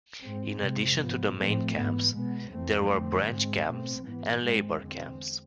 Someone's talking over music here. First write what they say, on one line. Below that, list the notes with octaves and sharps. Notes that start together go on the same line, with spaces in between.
In addition to the main camps there were branch camps and labour camps.
G#2 G#3 C4
F2 C3 G#3 C4
G#2 F3 B3
A2 F3 A3 C4
G#2 E3 B3
B2 G#3 B3
F2 E3 A3 C4
F2 D3 A3 C4
G#2 G#3 C4
B2 A3 C4
G#2 E3 B3
G#2 G#3 C4
E2 D3 G#3 C4